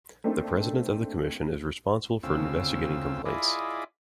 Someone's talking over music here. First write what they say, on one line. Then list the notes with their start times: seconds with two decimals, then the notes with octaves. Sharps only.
The President of the Commission is responsible for investigating complaints.
0.24 A3 A#3 C4 D4 D#4
2.23 D2 C#3 C4 F4 E6
3.26 E4 F4 G#4 D5 D#5 B5